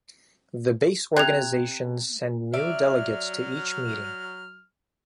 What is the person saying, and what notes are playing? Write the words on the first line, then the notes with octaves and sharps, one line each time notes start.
The base organizations send new delegates to each meeting.
C3 F#6 G#6 F7
F#3 D5 E5 F6